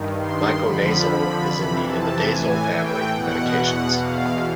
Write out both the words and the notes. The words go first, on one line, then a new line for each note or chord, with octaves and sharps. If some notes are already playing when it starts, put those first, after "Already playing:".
Miconazole is in the imidazole family of medications.
Already playing: G2 D#3
C6
F2 D3 F3 B5
F2 C3 E3
A5
A2 E3 G#5
G5
E2 B2 F#5
F#5
E2 B2 F5